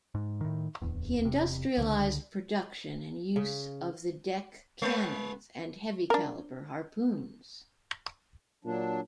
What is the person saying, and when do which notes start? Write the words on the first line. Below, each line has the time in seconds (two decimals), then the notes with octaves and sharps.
He industrialized production and use of the deck cannons and heavy-caliber harpoons.
0.15 G#2
0.41 A2 D#3
0.82 D1 E2
1.22 E1 C3
1.77 C#2 D3
3.36 C#3
4.82 G#3 B4
6.10 D4 A#4
8.65 A#2 F#3 D4